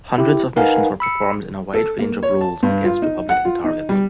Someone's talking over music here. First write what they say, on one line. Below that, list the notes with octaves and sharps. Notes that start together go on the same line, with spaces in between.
Hundreds of missions were performed in a wide range of roles against Republican targets.
E4 G4
D#4 A#4 B4 F5 F#5 G#5
B5 E6 C#7
A4
A#3
C#5
A5
G2
F4
D#4
F#5
F4
D#4
G3